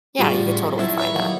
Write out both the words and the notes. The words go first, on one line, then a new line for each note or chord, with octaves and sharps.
Yeah, you could totally find that.
A2 G3 D4 F4 F#4 G#4
G2 F3
F#3 E4 A5
B4 C#5 E5 A#5
D#3 F#3 A#3